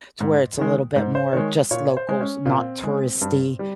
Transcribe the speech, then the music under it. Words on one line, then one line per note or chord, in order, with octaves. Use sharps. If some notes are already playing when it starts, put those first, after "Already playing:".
to where it's a little bit more just locals, not touristy,
G#2
D#3 G#3
G#2 C5
C5
D#3 G#3 C#5
A#2 C#5
C5
G#3
C#4
A#2 C4
G#3
G2
G3